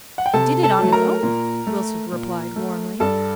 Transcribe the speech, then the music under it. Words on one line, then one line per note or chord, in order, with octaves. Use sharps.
"He did it on his own," Wilson replied warmly.
F#5
G5
C3 A4 A5
A4 A5
F#3 A3
A#4 A#5
A#2
A3
A#2
A3
G2 A4 A5